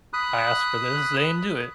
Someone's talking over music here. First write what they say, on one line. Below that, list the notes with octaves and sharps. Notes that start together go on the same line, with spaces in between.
asked for this, they didn't do it.
B5 D#6 F#6